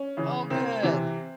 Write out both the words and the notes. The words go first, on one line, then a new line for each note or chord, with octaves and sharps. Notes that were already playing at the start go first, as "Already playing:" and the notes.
Oh good.
Already playing: C#4
C#3 E3
C2 C4
C3 E3